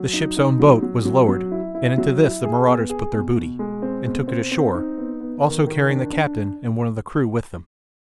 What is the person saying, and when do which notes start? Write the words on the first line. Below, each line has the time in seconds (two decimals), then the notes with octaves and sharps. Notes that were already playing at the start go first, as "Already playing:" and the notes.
The ship's own boat was lowered, and into this the marauders put their booty, and took it ashore, also carrying the captain and one of the crew with them.
Already playing: F#3
0.13 D#4
0.37 D#4
0.59 F#3
0.82 F#3
1.05 F#3
1.28 F#3
1.51 E4
1.75 E4
1.98 F#3
2.21 E4
2.44 G#4
2.67 B3
2.90 G#4
3.13 B2
3.37 B2
3.59 G#3
3.82 C4
4.05 B2
4.28 C4
4.51 C4
4.74 D#4
4.97 B3
5.20 B3
5.43 D#3
5.67 D#3
5.90 D4
6.12 D4